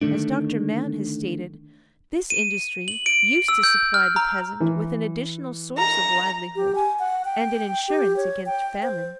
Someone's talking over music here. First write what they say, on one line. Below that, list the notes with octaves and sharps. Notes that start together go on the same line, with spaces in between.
As Dr. Mann has stated, this industry used to supply the peasant with an additional source of livelihood and an insurance against famine.
D3 D#3 A3 D4
D#7
F#7
D7
E6
G6
F6
A#5
E3
A#5
G4
G#5
F#5
G5
G4
C#5
G5
C5